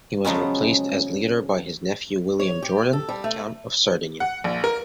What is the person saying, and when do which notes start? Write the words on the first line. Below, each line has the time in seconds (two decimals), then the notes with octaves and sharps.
He was replaced as leader by his nephew William-Jordan, count of Cerdanya.
0.25 C#3 F3 F#3 G#3 B3 C#4
2.40 C#5
2.62 G4
2.93 A4
3.09 G3
3.24 A3
4.20 F#5
4.44 A#1
4.64 A#4